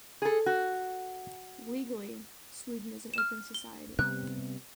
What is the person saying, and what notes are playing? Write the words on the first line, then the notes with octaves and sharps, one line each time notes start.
Legally, Sweden is an open society.
G#4 A4
F#4
F6 E7
G7
C3 G3 B3 F#6